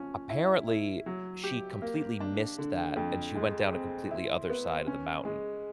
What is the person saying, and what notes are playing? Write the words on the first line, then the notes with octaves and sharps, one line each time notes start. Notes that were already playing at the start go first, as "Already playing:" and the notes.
apparently she completely missed that, and she went down a completely other side of the mountain,
Already playing: F3 C#4
E4
E4
F#3
G4
A#3
D4
D3
F2
G#3
C4
E4
B3
C#4
G#3